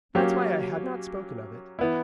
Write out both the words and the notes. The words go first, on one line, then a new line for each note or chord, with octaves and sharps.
That's why I had not spoken of it.
F#3 A#3 C#4 G4
E3 B3 E4